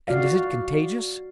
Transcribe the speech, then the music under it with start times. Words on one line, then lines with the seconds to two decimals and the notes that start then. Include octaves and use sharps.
"And is it contagious?"
0.08 F#4 D5 F5